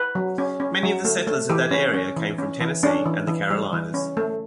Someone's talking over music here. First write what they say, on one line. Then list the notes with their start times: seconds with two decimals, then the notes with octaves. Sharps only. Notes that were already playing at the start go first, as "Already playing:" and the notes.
Many of the settlers of that area came from Tennessee and the Carolinas.
Already playing: B4
0.15 F#3
0.38 C#4
0.60 C#4
0.83 F#3
1.05 A3
1.27 A3
1.50 E3 G4
1.71 C#4
1.94 C#4
2.17 E3
2.39 C#4
2.61 E3
2.83 C#4 D4
3.06 E3
3.27 E3
3.50 G3
3.73 E3
3.94 C#4
4.17 A3